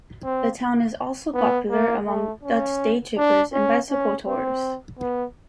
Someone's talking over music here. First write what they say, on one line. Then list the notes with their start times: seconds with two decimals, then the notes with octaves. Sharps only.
The town is also popular among Dutch day-trippers and bicycle tourers.
0.23 C4
1.34 B3
1.70 A#3
2.07 A3
2.44 C#4
3.17 D4
3.53 C#4
3.90 C#4
4.26 C4
4.99 B3